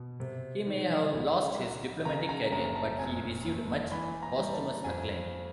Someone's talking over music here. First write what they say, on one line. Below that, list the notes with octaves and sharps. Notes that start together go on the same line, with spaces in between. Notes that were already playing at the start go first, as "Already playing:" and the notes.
He may have lost his diplomatic career but he received much posthumous acclaim.
Already playing: B2
C3
D#3
C#2
F#3
C#3 A#5
A#5
F#1 A#5
A5
F1 G#5
D#2
E3 B5
A#5
G3
A5
F2 G#5